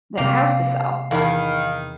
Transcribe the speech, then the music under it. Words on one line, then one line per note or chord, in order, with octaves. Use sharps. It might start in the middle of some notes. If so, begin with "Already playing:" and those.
the house to sell,
C3 A#3 G4 A#5 C7
E2 D#3 E4 F5